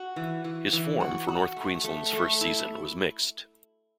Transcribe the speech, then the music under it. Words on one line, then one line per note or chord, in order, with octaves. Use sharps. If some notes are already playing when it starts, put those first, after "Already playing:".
His form for North Queensland's first season was mixed.
Already playing: F#4
E3
E3
E3
F#4
F#4
A3
A3
A3
E4